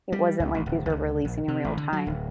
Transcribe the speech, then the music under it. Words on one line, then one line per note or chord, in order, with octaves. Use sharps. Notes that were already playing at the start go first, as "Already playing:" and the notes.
it wasn't like these were releasing in real time.
G3
C#2
A1
D1
C#2
A#1
C3
A1
D3
F#3
D1